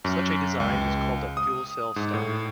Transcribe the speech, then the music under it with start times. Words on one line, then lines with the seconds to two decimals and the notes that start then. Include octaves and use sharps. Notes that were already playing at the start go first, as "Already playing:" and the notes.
Such a design is called a "fuel cell stack".
0.05 F#2
0.60 C#2
1.37 D#6
1.96 G#2
2.14 A2